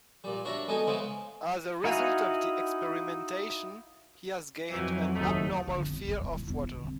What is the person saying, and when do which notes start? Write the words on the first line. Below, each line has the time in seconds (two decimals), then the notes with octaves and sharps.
As a result of the experimentation, he has gained an abnormal fear of water.
0.24 A#2 G3
0.45 D4 F#4 C#5 E5 A#5 B5
0.68 G#3 B3 D#4 F#4 A4 G#5
0.87 C#3 G#3 B3 E4 C5
1.84 D#4 E4 F#4 F5 G#5
4.71 F2 D#3 E3 F#3
5.16 F#1 D#2 A3 D#4
5.67 D3
5.80 F2
5.93 B1
6.08 C#3
6.21 E1
6.35 A#1
6.48 E1
6.63 D3
6.84 C2